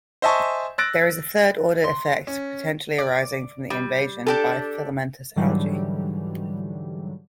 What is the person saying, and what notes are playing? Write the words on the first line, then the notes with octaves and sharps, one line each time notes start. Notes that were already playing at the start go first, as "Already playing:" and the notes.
There is a third-order effect potentially arising from the invasion by filamentous algae.
C5 D#5 E5 G#5 A5 C#6
E6 F#6 A6 A#6 D7
C6
C#4
D5
G3
D4 G4 A4
G#2 D3 E3 F#3 G3